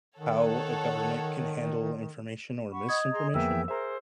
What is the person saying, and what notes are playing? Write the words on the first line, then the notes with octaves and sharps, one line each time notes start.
how a government can handle information or misinformation
D#3 A4 C#5 F#5
F#5 B5 C#6
D#5 D#6 G#6
G#4 A#5 C6
F2 A#3 B3 G#4 E5 G5 E6
G#4 A#4 C5 E5 A#5